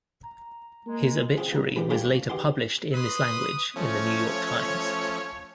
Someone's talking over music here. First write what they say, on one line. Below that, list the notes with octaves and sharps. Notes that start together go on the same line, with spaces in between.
His obituary was later published in this language in the "New York Times".
A#5
G#3 A#3
C#3 C4 F4 G#4
C2 A#5
B1 A2 C3 D#3 E3 G#3
G3 A3 A#3 C#4 D4 F4
C#5
B2 D#3 G4 G#4 F#5 C6
B4 B5 C6 D#6
F3 A3 C#4 C#5